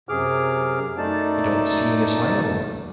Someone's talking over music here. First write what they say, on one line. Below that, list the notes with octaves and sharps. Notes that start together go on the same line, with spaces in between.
"I don't see Miss Langmore."
F#2 C3 G#4 D6 F6
F#2 A3 D#4 D5 A5